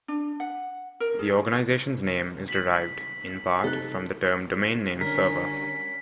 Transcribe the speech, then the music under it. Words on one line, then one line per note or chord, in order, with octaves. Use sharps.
The organisation's name is derived, in part, from the term "domain name server".
D4
F#5
A#4
G#4
B6 F#7
C3 D#4 A4 F#6
D3 G3 C#4 F#4 A#4 B6